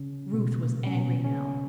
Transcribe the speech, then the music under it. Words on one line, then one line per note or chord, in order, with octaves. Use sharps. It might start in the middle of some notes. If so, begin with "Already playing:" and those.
Ruth was angry now.
Already playing: C#3 C#4
B2 B3
A#2 A#3
C#4
B2 B3
C#3 C#4